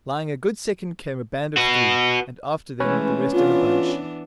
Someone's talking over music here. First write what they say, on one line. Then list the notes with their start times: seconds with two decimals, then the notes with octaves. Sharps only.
Lying a good second came a band of three, and after them the rest in a bunch.
1.57 F#4 B4
2.80 E3 G#3 A3 C#4 B4 C#5
3.33 E3 B3 D4 F4